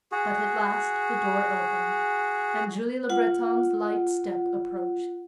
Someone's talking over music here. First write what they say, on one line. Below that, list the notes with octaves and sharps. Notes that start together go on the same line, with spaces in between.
But at last the door opened and Julie Le Breton's light step approached.
F#4 G#4
F4 F#5